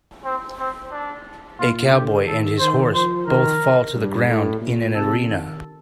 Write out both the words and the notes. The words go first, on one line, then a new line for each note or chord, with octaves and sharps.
A cowboy and his horse both fall to the ground in an arena.
C4
C4
D4
A#2 F4
D3 G4
D#3 A4
D#3 C5
F3 C5
D#3 A#4
G2
A2
A#2
C3 A4
D#3